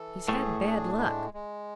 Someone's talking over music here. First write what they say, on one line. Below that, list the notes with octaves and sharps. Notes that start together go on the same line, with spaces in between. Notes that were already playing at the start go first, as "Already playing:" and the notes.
"He's had bad luck."
Already playing: E3 A4
A2 A3 G#4
D4
G#3
G#3